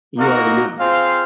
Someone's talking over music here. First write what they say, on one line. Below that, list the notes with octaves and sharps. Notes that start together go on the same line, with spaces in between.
You already know,
A#3 D#4 F#4 A#4
C4 F4 G#4 C5 F5